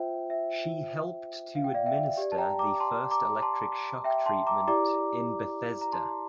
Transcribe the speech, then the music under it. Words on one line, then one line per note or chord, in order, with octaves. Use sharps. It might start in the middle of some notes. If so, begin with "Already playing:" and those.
She helped to administer the first electric shock treatment in Bethesda.
Already playing: F4 C5 E5 G5
E5
F5
G5
D5 F5
E5 G5
G4 D5
A5
G5 A#5
A#5 D6
A5 C6
A#5 D6
A5 C6
E5 G5
A5 C6
A#5 D6
E4 G4 D5 A#5 D6
A#5
A5 C6